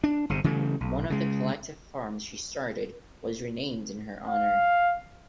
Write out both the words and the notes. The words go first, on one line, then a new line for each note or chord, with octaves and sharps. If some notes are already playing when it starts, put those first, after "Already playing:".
One of the collective farms she started was renamed in her honor.
D4
G1 C3
C#3 E3 G3 A3
B1
C#3 G#3
F5